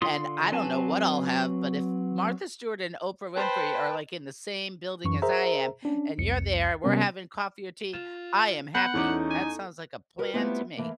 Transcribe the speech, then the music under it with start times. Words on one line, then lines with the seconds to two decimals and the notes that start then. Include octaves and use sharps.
and I don't know what I'll have, but if Martha Stewart and Oprah Winfrey are, like, in the same building as I am, and you're there, we're having coffee or tea, I am happy, that sounds like a plan to me.
0.02 D3 F4 C6 D#6
0.52 F#3 C4 B4 G#5 A5
3.36 B4 C5 G5 A5 B5
5.04 F#2 E3 C#6
5.22 G#4 A#4 C5 E5 A#5
5.85 C#4 D4
6.18 C2 F2 C#7
6.83 C3 G3 B3 C#4 A#4
7.93 F4 E7
8.75 B3 F#5 B5 F#6 G6
8.94 E2 C#4 D#4 E4 A4 C#6 D6
9.31 G#5
10.18 F#4 A#4 B4
10.34 G3 A3 B3 C4 E4 F4
10.77 E3 A3 A#3